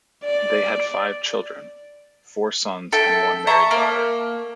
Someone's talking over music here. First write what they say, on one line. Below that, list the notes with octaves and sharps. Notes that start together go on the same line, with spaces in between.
They had five children: four sons and one married daughter.
D5
A4 E5 G5
E5 A5 A#5 C#6
A#3